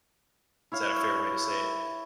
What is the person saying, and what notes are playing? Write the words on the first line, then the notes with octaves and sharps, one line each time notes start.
Is that a fair way to say it?
E4 C#5 F5